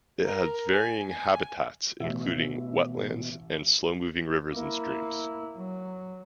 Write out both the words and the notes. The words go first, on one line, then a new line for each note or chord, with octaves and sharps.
It has varying habitats including wetlands and slow-moving rivers and streams.
A#4
G#5
G#5
A1 B2 E5
A#3 E4
F#3